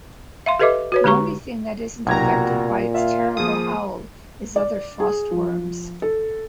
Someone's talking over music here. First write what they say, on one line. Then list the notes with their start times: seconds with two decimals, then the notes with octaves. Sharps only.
The only thing that isn't affected by its terrible howl is other frost worms.
0.46 E5 F5 C6
0.59 G4 A4 B4 D#5 E5 D6
0.92 F#4 B4 C#5
1.04 D3 G#3 G4 A#5 C#6
2.07 F1 B1 A#2 F#4 G4 A#5 G#6
2.94 F4 E5 F5
3.37 F3 A#3 G#4 D#6
4.56 D5
5.00 G#4
5.31 F3
6.02 A4